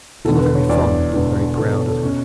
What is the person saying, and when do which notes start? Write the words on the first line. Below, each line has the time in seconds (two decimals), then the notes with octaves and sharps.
They were very fond and very proud of her.
0.25 E1 E2 D3 A4
0.39 B4
0.55 C#5
0.69 E1 E2 D3 D5
1.13 E1 E2 D3 B4
1.57 E1 E2 D3 A4
1.73 C#5
1.88 A4
2.03 B2 C#4